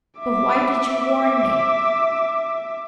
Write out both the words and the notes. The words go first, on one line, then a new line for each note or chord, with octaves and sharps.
But why did you warn me?
E5 D6